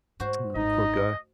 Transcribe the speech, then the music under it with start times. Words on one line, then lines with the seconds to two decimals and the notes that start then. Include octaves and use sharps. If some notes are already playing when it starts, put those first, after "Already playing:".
No, poor guy.
0.20 G#2 F#4 C5
0.55 G#1 D#4 D#5